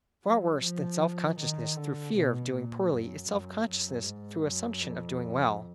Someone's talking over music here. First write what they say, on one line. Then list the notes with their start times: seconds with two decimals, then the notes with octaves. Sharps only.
Far worse than self-consciousness through fear of doing poorly is self-consciousness through assumption of doing well.
0.24 F#3
0.62 F3
1.39 D#3
1.77 D3
2.14 B2
2.52 A#2
2.91 F#2
3.29 F#2
3.66 F#2
4.04 G#2
4.43 F#2
4.81 F2